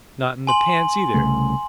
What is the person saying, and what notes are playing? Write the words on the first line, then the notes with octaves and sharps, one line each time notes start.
Not in the pants, either?
G#5 C6 F#7
C2 C#3 A3